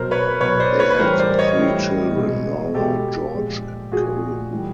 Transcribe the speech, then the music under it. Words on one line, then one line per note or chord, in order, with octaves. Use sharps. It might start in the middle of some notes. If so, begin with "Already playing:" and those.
They had three children: Nora, George and Colin.
Already playing: B2 F#3 A#4 C5
B4 C#5
B2 F#3 B4 C#5
C5 D5
B4 C#5
B4
A2 E3 G3 A#4 C5
C5 D5
C#5 D#5
A2 E3 G3
B2 G#3
B2 G#3 G4 A4
A#2 F3 G#3
A#2 F3 G#3 F#4 G#4
A2 E3 G3